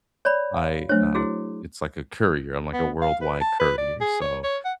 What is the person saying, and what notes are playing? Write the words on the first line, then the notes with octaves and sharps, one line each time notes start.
I, uh it's like a courier. I'm like a worldwide courier. So
C#5 D5 B5
F5
F#3 A3 D4 C5 C#5
E4 F#4 G#4
B3
F5
B4
A5
B4
D5
G#4
C#5
C#5
F#5